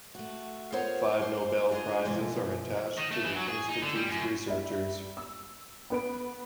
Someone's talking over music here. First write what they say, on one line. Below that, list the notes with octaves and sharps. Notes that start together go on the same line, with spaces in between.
Five Nobel prizes are attached to the Institute's researchers.
A3 F#4
B3 F4 A4 A#4 C5 C#5
G3 C5
D4 F4 G#4 C5 D#5
B2 E3 F3 G#3
D#3
A3
E3
F#3
G#4
D#4
D3
G3
F#2
G3 E5
E6
B3 B4 D7